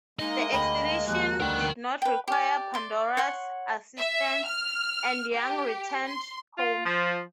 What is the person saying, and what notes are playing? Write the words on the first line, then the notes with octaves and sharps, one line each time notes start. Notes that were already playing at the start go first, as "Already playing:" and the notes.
The expedition did not require "Pandora's" assistance, and Young returned home.
G#3 A#3 D#4 D#5
D2 G5 B5
D#2 F3 F#6
D2 D#3 G3 A#4 G5
B4 G5
G4 D5
D5 C6
C#5 F#5 C6
E5
F6
G4
C6
F4
F3